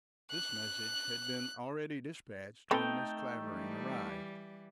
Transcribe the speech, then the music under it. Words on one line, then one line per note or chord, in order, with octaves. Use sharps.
This message had been already despatched when Mrs. Clavering arrived.
F#6
A3 C4 D#4 A4 B4 G5
E3 G3